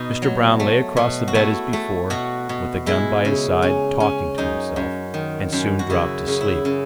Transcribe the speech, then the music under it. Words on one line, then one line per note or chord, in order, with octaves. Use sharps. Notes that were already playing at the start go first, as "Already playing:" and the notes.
Mr. Brown lay across the bed as before, with the gun by his side, talking to himself, and soon dropped to sleep.
Already playing: B2 D#4
F#3
A3
B2
F#4
A3 E4
A3
B2 F#4
B2
G#3 E4
C#3
C#4
C#4
F#2 D#4
F#2
D#3
F#2
F#4
C#3 E4
C#3
E4
C#3